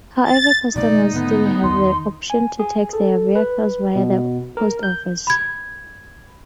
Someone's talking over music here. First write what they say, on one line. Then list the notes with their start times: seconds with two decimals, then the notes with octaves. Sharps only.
However, customers still have the option to tax their vehicles via the Post Office.
0.24 A6
0.76 B2 D#3 A3 D#4 D5
1.13 G#2 D3 A3 B3
1.64 E2 D#3 C6
2.30 G#5
2.59 G#4
2.93 A4
3.35 B4
3.95 B2
4.57 A#4
4.83 G6
5.27 B5 G#6